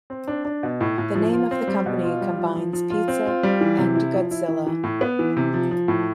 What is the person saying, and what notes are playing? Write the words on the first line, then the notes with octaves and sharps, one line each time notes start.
The name of the company combines "pizza" and "Godzilla".
C4
D4
D4
B2
A2
A2
F3
F4
C4
G3
B2
F4
G3
F3
F3
F3
F4
C4
F4
G3
E3
C3
E4
F3
E4
E3
E3
A2
B3
E3
C3
F3
F3
A2